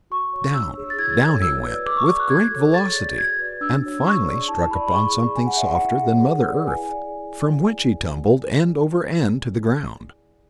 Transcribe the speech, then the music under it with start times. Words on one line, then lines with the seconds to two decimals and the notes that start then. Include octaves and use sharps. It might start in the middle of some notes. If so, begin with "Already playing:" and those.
Down--down he went, with great velocity, and finally struck upon something softer than mother earth, from which he tumbled end over end to the ground.
0.10 F#4 C#6
0.33 C#5
0.54 D4 E6
0.77 G#4 C#5
0.90 A6
0.98 E4 G#6
1.21 A4 C#5 G#6
1.42 F#4 E6
1.65 B4 D5
1.86 G#4 D6
1.97 C#6
2.08 B4 D5 C#6
2.19 F#6
2.29 F#4 G#6
2.51 A4 C#5
2.74 G#4 A6
2.96 D5
3.17 F#4 G#6
3.39 B4 D5
3.61 D4 E6
3.83 F#4 C#5
4.05 G#4 C#6
4.26 D5
4.48 E4 A5
4.71 G#4 D5 B5
4.87 B5
4.93 G#4 C#6
5.14 D5
5.36 G#4 G#5
5.47 F#5
5.57 D5 E5
5.67 F#5
5.80 E4
6.03 G#4 C#5
6.24 G#4
6.46 B4 D5
6.68 E4 G#5
6.90 G#4 D5